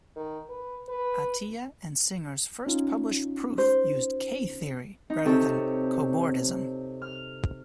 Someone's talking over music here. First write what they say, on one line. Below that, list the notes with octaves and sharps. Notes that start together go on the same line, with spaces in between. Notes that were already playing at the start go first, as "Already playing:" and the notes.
Atiyah and Singer's first published proof used K-theory rather than cobordism.
D#3
B4
B4
C#4 D#4 F4
C5
D#4
C3 A4 C#5
F6